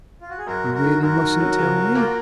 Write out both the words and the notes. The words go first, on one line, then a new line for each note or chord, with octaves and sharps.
"You really mustn't tell me?"
F4
F#4
G#4
F#2 F#4 A#4
F#2
F#4 A#4
D#3
F#2 F#4 A#4
D#3
F#3
C#3
F3
A#3 F4
F#4